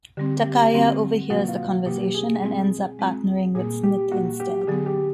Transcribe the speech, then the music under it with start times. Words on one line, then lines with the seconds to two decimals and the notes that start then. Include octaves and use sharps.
Takaya overhears the conversation and ends up partnering with Smith instead.
0.17 D3 G3 C4 G4
0.36 G4
0.55 G4
0.73 D3 G3 C4 F#4
1.30 B2 F#3 A#3 F#4
1.48 F4
1.68 F#4
1.86 B2 F#3 A#3 G4
2.14 G#4
2.42 G#3 C4 F4
2.99 G#3 C4 F4
3.55 A#2 G3 A#3 G#4
3.83 G4
4.11 A#2 G3 A#3 F#4
4.40 G4
4.61 G4
4.67 D3 F#3 B3 G#4
4.86 G4